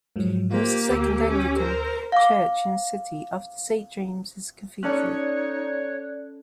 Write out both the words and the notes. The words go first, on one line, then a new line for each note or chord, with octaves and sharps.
It was the second Anglican church in the city, after Saint James' Cathedral.
G#2 F3 F#3
A#3 F4 G4 C5
D2 E6
C#4 G4
A#4 C5
F5 D6
C#4 D#4 A4 C#5 D5 F#6